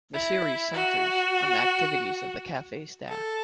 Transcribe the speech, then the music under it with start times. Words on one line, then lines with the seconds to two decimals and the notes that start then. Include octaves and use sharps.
The series centres on the activities of the cafe staff.
0.14 E4
0.73 F#4
3.08 A4